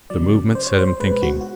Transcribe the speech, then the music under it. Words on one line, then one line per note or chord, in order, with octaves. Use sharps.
The movement set him thinking.
C#3 F#3 D5
C5
C#5
C5
B2 G#3 B4
F#4
F#4